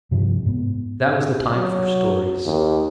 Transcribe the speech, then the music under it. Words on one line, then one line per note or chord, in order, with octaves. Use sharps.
That was the time for stories.
G2 C3 F3
G#2 B3
F#3
D#2